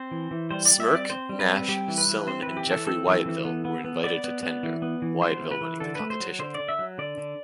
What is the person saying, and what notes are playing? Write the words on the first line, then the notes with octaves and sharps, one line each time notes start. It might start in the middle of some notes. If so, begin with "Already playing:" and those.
Smirke, Nash, Soane and Jeffry Wyatville were invited to tender, Wyatville winning the competition.
Already playing: C4 C5
E3
E3
G3 C5
G3 D5
E5
C4
D5
C4 C5
G3
B4
C4
G3 G4
E3
B4
E3
C4 C5
E3 B4
G4
E3 A4
C4 A4
E3
E3
B3
B3
B3
B3 D5
B3
B3
E3
B3
E3
B3 C5
E3
B4
E3
D3 A4
A3 B4
C5
F#3
D3 C5
D5
D3
E5
F#3
D3 D5
D3